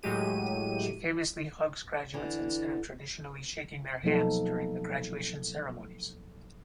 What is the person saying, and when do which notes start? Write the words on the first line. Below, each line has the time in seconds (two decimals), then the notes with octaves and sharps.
She famously hugs graduates instead of traditionally shaking their hands during the graduation ceremonies.
0.03 A2 F#3 G#3 G4 D#7
2.14 D3 E3
4.03 B2 F3 F#3 A#3 D#4 A4